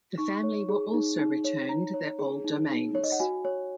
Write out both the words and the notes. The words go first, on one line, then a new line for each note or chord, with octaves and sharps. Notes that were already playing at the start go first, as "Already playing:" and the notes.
The family were also returned their old domains.
D#4 C#6
C#5
G#4
D#4
D#4
C#5
D#4 A#5
C#5
G#4
D#4
D#4
C#5
D#5
F#5
F#4 G#5
C#5